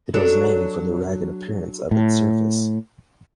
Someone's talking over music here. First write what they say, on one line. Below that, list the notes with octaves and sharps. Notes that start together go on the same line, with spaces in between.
It was named for the ragged appearance of its surface.
F#3 D4 A4
A2